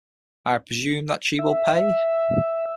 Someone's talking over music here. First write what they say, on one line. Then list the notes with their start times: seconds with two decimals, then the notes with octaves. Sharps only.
I presume that she will pay.
1.39 E5